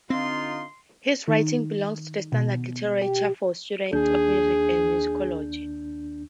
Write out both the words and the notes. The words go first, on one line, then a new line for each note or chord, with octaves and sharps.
His writings belong to the standard literature for students of music and musicology.
D3 C4 D#4 F4 C6
D#3
B2
G4
D#2 D4 G#4 G6